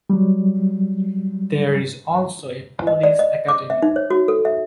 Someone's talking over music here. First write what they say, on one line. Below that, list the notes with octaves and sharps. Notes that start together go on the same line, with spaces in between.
There is also a Police Academy.
F#3 G3
D#5
D5
D#5
D6
E5
D#4
C#5
F#4
A4
E5